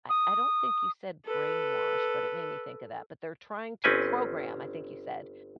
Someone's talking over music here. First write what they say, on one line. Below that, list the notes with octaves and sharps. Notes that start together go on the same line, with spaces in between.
I I don't think you said brainwash, but it made me think of that, but they're trying to program, I think you said,
D#6
A4 B4
G1 C4 C#4 B4 G#5